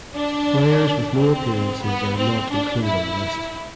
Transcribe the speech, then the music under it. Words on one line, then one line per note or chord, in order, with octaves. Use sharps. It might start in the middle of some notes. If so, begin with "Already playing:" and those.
Players with no appearances are not included on the list.
D4
C4
B3
C4
D4
E4